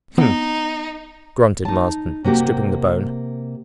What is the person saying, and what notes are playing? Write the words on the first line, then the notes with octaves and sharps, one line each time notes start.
"Hm!" grunted Marsden, stripping the bone...
B3 D#4
D#4 A5
C3 A#3 F#4 G4